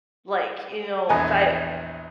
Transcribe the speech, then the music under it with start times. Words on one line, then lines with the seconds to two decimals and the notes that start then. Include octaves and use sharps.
Like, you know, if I
1.09 A#1 E2 D#5 G#5